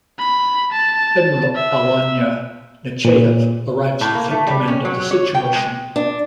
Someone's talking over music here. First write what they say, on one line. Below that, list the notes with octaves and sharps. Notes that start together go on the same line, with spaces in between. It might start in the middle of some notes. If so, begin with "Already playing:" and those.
Admiral Alynna Nechayev arrives to take command of the situation.
B5
A5
E5
A#2
A2
A#3
A3
G3
C#4
F#3
C#5
G5
G#3
D4